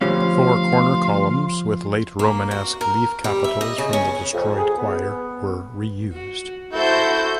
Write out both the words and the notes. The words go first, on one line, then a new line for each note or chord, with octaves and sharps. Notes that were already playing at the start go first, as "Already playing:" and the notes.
Four corner columns with late Romanesque leaf capitals from the destroyed choir were reused.
D2 F3 G3 C#4 F5 C6
A#3
F#4
A#4
G3
E5
D#5
C#3
C#4
F2
G#4
B3
F#4
E4 F#4 A4 C5 G6